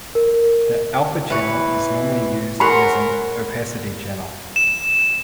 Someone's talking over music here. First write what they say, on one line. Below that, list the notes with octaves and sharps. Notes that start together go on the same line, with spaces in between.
The alpha channel is normally used as an opacity channel.
A#4
E3 B4 C#5
G#4 A#4 C#5 F#5 B5 C6
E7